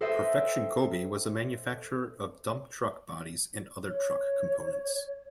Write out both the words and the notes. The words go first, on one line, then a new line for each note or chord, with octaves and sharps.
Perfection Cobey was a manufacturer of dump truck bodies and other truck components.
A4 B4 C5 D#5 E5 G5
C#5